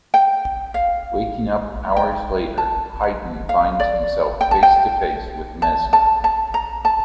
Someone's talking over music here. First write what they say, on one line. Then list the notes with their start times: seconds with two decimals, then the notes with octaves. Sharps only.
Waking up hours later, Hayden finds himself face-to-face with Mezner.
0.14 G5
0.74 F5
1.97 G5
2.58 A5
3.49 F5
3.80 D5
4.41 G5
4.51 A5
4.63 G5
5.62 A5
5.93 A5
6.24 A5
6.54 A#5
6.85 A5